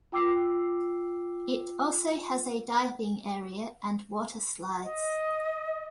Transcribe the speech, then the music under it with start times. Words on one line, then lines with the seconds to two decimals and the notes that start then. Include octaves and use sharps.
It also has a diving area and water slides.
0.12 F4 G5 D6 E6 C7
4.84 D#5